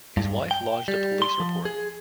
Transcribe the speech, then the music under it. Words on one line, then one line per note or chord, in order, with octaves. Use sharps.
His wife lodged a police report.
G2
G5
G3
C6
F3
G#4